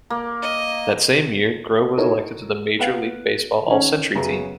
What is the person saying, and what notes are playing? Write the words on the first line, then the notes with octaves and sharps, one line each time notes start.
That same year, Grove was elected to the Major League Baseball All-Century Team.
A#3
D#5
D#4 E4 F#4 A4 A#4 C#5
B3 F5 F#5
D#3 C#4
F#2 C#3 B3 C#4 G#4 A#5